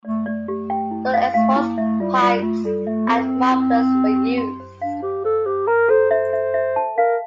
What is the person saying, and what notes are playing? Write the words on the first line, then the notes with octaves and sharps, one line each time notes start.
Dual exhaust pipes and mufflers were used.
A3 D5
A3 D5
A3 G4
G5
E4
F5
A3 F5
A#3 E4
A3 E5
G3 F4
G3 F4
A3 F4
G3 A4
A3 E5
C4 C5
C5
E4
E4
G4
G4
C6
C5
D4 F5
G4 C5
A4 C5
G4 C5
A#4 A#5
A4 C5
C5 E5
E5
E5
A5
A#4 F5